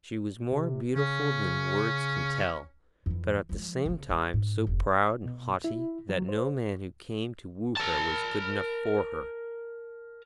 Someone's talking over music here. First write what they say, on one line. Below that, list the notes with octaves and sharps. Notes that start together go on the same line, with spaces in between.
She was more beautiful than words can tell, but at the same time so proud and haughty that no man who came to woo her was good enough for her.
C3
C#3 C#4
F2 E3
F3 G#3
C#3 B3
G#3
G#2
F1
B2
E4
F#3
C5
A#4 A5